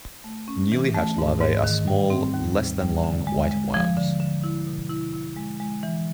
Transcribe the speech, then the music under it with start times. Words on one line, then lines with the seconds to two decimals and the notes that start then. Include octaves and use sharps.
Newly hatched larvae are small, less than long, white worms.
0.24 A3
0.48 C#4
0.72 E3
0.94 A3
1.18 G#2
1.41 G#2
1.64 D#3
1.88 G3
2.10 C4
2.34 D#2
2.57 G3
2.80 G3
3.04 D3
3.27 G#3
3.51 G#3
3.74 F3
3.97 D3
4.20 D3
4.44 E4
4.67 B2
4.89 E4
5.13 E4
5.36 G#3
5.60 G#3
5.83 E3